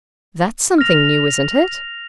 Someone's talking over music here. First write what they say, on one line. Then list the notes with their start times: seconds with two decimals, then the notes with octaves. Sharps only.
'That's something new, isn't it?'
0.78 F6 A#6 F7